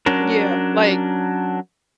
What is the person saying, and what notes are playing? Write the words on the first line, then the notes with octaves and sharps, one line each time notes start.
Yeah, like
F#3 C#4 D4 A#4